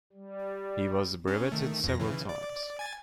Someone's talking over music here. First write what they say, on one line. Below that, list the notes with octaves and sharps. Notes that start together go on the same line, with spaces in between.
He was brevetted several times.
G3
C#4
D#3 A3
F2 A#6
C#3 E3
D5
G#5 A6